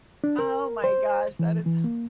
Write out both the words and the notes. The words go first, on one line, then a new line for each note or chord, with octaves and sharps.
Oh my gosh, that is hi
D4
A#4
C5
E3
E3
A#3